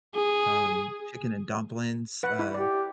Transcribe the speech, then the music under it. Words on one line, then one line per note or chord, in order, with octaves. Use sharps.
um, chicken and dumplings. Uh,
G#4
B4 F#5
E4
G4 D5